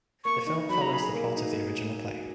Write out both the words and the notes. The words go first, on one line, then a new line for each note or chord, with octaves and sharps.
The film follows the plot of the original play.
A#3 C#6
D#4
F#3 B5
A#5
G#4 B5
A#3
D#4